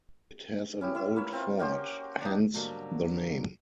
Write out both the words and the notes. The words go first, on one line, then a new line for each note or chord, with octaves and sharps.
It has an old fort, hence the name.
C#4 E4 G4
C#4 E4 E5
A#3 B4 C#5 E5
C4 F4
C#4 F#4 G4 C5
D4 D#4
G#2 B2 D3 F#3 G3 A#3